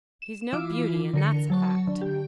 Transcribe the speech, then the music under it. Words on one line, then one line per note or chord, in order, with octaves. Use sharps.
"He's no beauty, and that's a fact."
E7
E3 E4 F4 D6
D3 A#4 C#7
F#3 A5 C#6
D3
G4